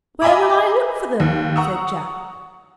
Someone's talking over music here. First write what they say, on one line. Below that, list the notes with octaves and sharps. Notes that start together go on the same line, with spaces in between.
"Where will I look for them?" said Jack.
D#5 E5 G#5 A#5 B5 D6
D#2
F#5 A#5 C#6 D#6 E6